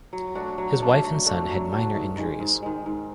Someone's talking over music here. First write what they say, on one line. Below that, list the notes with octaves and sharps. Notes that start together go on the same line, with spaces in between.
His wife and son had minor injuries.
F#3
A3 D4 F#4
F#3
A3 D4 F#4
F#3
A3 D4 F#4
F#3
A3 D4 F#4
G#2
D#3 G#3
G#2
D#3 G#3
G#2